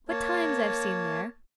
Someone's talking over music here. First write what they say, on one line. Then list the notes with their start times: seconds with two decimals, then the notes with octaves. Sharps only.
'What times I've seen there!
0.09 A#3 C#5 A5